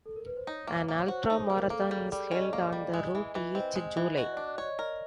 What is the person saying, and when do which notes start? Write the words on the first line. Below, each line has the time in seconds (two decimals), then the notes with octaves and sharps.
An ultramarathon is held on the route each July.
0.06 A4
0.16 A#4
0.27 B4
0.37 C5
0.47 D#4 C#5
0.67 A#3
0.88 A#3
0.99 C#5
1.08 F#4 C5
1.24 C5
1.30 D#4
1.39 G#4
1.50 A#3
1.55 A#4
1.70 A#3 A4
1.81 G4
1.91 G3 G#4
2.11 G3 D5
2.27 D5
2.31 C#4 D#5
2.53 A#3
2.73 G3
2.93 G#3
3.15 E3
3.35 E3
3.55 C4 D#5
3.76 G#3
3.97 E3
4.17 F#4 D#5
4.32 D4 D5
4.47 D5
4.58 C#5
4.63 D#5
4.79 A#4 D#5